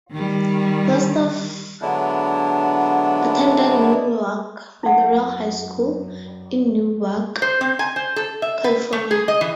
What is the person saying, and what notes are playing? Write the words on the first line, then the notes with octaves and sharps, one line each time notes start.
Bostaph attended Newark Memorial High School, in Newark, California.
D#3 G3
D3 F#3 G#3 B3 D4 E4
F#2 E4 F#5
C5
C4
G#5
C5
A4
E5
B4
A3
G#4
D#5
E3